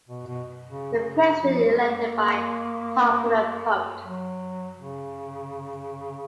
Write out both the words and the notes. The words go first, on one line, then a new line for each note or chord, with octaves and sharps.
The president is elected by popular vote.
B2
B2
C#3
C#3
F3
G#3
A#3
F#3
C#3